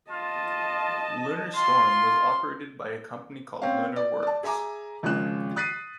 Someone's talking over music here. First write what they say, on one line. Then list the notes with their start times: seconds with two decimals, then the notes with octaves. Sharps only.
"LunarStorm" was operated by a company called LunarWorks.
0.11 F4 D#5 A5
1.55 F4 C6
3.62 C4 C#4 F5
3.96 D5
4.22 D5 A5
4.43 G#4 E5 G#5 A#5 D6
5.03 G#1 C#3 F3 G#3 F#6 E7
5.56 D#6 F#6 A6 B6 C7 D#7